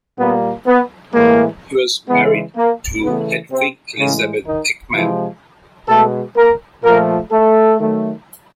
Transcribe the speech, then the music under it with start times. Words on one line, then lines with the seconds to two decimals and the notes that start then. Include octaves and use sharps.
He was married to Hedvig Elisabeth Ekman.
0.19 A#2 G3 A#3 B3
0.66 B3
1.14 A2 E3 G#3 A#3
2.09 C#3 E3 G#3 B3
2.56 A#3
3.03 C#3 E3 A3 B3
3.51 C3 C4
3.99 A2 C#3 E3 G#3 C#4
4.46 D#3 D#4
4.93 C3 E3 F3 G#3 E4
5.88 B2 G#3 A3 A4
6.36 A#3 A#4
6.84 A#2 F3 A3 A#3 A#4
7.32 A3 A4
7.79 D#3 F#3 A3